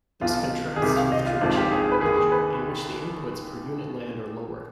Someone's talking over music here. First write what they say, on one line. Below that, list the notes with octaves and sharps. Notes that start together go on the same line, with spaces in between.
This contrasts with traditional agriculture, in which the inputs per unit land are lower.
B1 B2 F4
G#4
C2 C3 D#3 G4
F5
D#5
F4
G#1 G#2 F3 F4
G4
G#4
B4
D#2 D#3 G#4
G#4
B4